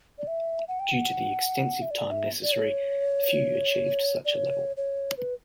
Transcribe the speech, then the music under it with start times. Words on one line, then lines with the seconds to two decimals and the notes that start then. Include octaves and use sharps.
Due to the extensive time necessary, few achieved such a level.
0.18 D5
0.27 E5
0.68 F#5
0.80 G5
0.92 F#5
1.82 E5
1.91 D5
2.11 E5
2.43 D5
2.52 C#5
4.25 D5
4.36 C#5
4.77 C#5
5.18 B4